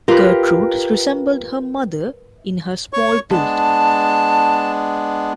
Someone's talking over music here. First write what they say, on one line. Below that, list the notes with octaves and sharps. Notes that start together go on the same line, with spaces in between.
Gertrude resembled her mother in her small build.
F4 G4 A#4 B4
C#5 C#6
G#3 B3 D4 A5